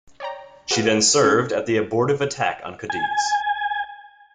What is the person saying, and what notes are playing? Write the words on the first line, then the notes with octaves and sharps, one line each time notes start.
She then served at the abortive attack on Cadiz.
C#5 D5 G5 A#5
F#4 G#4 B4 F5 F#5
C#4 A4
G#5